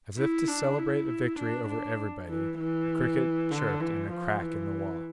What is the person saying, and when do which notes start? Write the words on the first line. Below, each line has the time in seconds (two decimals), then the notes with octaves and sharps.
As if to celebrate a victory over everybody, a cricket chirped in a crack in the wall.
0.18 E4
0.47 D4
0.78 E4
1.39 D4
1.68 D4
2.29 E3
2.59 E3
3.51 D3
3.80 E3
4.11 F3
4.41 E3